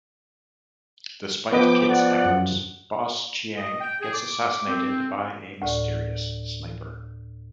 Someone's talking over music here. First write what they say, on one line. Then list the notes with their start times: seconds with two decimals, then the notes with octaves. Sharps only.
Despite Kit's efforts, Boss Chiang gets assassinated by a mysterious sniper.
1.53 F3 B3 B4 D#5 G5 D6
1.90 D5 F#5
2.25 F#2
3.56 D#5
3.81 G5
4.01 G#4
4.13 D6
4.68 C4
5.62 D2 A2 D5